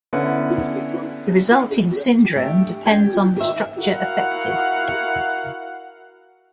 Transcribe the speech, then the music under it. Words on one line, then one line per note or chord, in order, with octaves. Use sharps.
The resulting syndrome depends on the structure affected.
D3 B3 C#4 E4
A3 D4 G4
G4 D5 G5 G#5
D#3 E5
E4 F#4 A#4 F5 F#5